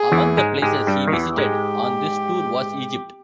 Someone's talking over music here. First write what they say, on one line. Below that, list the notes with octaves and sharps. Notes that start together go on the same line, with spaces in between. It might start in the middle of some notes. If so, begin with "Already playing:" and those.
Among the places he visited on this tour was Egypt.
Already playing: G#4
E2 E3
G#2 G#3
G#2 G#3 G4
G2 G3
D#3
E2 E3
G#2 G#3 G4